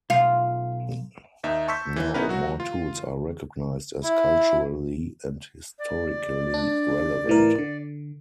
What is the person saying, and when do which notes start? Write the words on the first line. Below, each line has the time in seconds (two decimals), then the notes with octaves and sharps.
Now, more tools are recognized as culturally and historically relevant.
0.10 B1 F4
1.44 D#2 D#4 E5
1.68 A5 C6 C#6 E6 G6 B6
1.96 E3
2.14 B3 C#4 D#4 E4 A#4 B4
2.29 F#3 F#4
2.60 F4
4.03 E4
5.79 D5
6.54 D4
7.27 A2 E3 A#4
7.58 D3